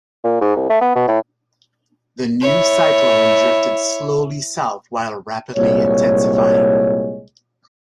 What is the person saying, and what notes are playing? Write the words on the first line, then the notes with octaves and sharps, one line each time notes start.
The new cyclone drifted slowly south while rapidly intensifying.
A#2
G#2
C2
A3
B3
B2
A2
E4 C#5
C2 A#2 G#3 C#5